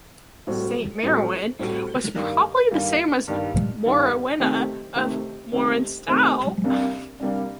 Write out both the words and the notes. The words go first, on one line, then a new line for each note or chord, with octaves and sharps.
Saint Marwenne was probably the same as Morwenna of Morwenstow.
A2 G3 C4 F#4
A2 G3 C4 F#4
A2 G3 C4 F#4
G2 D#3 G3 A#3
G2 D#3 G3 A#3
G2 D#3 G3 A#3
G2 D#3 G3 A#3
C3 D#3 A3 C4 G4
C3 D#3 A3 C4 G4
C3 D#3 A3 C4 G4
C3 D#3 A3 C4 G4
C2 C3 G3 A#3 D4
C2 C3 G3 A#3 D4